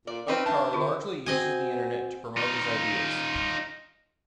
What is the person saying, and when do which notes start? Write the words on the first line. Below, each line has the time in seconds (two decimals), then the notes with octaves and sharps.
Oktar largely uses the Internet to promote his ideas.
0.07 A#2 D5
0.28 C4 C#4 D#4 B4
0.46 D4 E5 A5
0.73 D3 F4 C#6
1.26 C4 F#4 D#5 G#5
2.37 D#4 F4